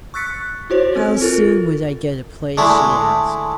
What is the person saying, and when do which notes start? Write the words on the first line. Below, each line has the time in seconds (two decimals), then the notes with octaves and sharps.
"How soon would I get a place?" she asked.
0.14 C#6 E6 F#6 A6 B6 C#7
0.70 E4 F#4 C5 C#5
0.96 C4 A4
1.22 F4 A4 A#4 A6
2.57 D3 G#3 A3 E4